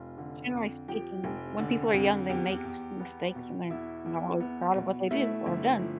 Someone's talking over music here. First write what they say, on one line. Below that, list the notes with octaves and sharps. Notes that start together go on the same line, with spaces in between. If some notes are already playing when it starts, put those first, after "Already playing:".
generally speaking, when people are young, they make s mistakes and they're not always proud of what they do, or have done.
Already playing: F1 F4
D3
F2
F3 G4 G5
F1
D3
F2
E2 G4 G5
E2
B3
B2
E2 E4 E5
E2
B3
B2
A3 E4 E5
G1
F3